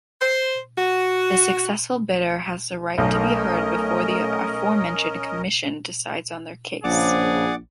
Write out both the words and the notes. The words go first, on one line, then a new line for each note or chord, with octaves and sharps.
The successful bidder has the right to be heard before the aforementioned Commission decides on their case.
C5
F#4
B1 A3 C#4 A#4 D#5
A#1 C#3 F3 G#4 D5 F#5 D6